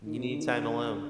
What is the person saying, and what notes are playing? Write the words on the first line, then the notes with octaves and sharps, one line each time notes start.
You need time alone.
D#3
C3
D3
D#3
D3